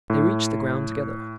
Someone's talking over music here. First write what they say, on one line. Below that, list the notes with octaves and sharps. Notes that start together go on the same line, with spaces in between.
They reached the ground together.
A2